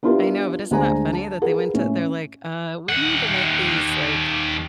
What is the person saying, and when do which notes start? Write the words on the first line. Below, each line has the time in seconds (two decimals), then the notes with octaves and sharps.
I know, but isn't that funny that they went to they're like, "Uh, we need to make these, like,
0.03 B3 D4 E4 F4 G4 A#4
0.71 D2 G#3 D4 C5 G#5 A#5
1.13 A5
1.42 F4 G#4 A#4 B4 F#5
1.74 A2 C#4
2.89 D#2 F#5